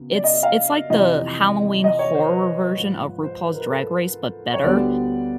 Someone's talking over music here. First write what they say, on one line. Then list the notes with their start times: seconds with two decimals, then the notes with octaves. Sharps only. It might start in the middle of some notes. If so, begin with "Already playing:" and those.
it's it's like the Halloween horror version of RuPaul's Drag Race, but better.
Already playing: F#2 C#3 B3
0.14 D5
0.24 D#5
0.34 E5
0.43 F5
0.67 E5
0.90 F2 C3 E3 D#5
1.84 D#5
1.99 C#5
2.15 C5
2.30 B4
2.76 G#2 F3 G#3
3.24 C5
3.47 B4
3.54 A#4
3.61 B4
3.70 A4
4.54 C#5
4.63 D2 D3 G3 B3 D5